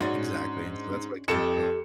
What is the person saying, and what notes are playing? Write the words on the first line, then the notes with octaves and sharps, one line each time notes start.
Exactly. And so that's why I kinda felt.
G#2 C#4 D4 F#4
F2 G4 A4 D#5 C#7 E7